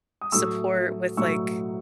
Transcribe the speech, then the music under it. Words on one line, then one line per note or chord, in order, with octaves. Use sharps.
support with, like
D#6
A2 F#3 A3 C#6 E6
A2 F#3 A3 C#6 E6